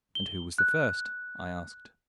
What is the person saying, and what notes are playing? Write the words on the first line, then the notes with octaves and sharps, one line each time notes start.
"And who was the first?" I asked.
G7
F#6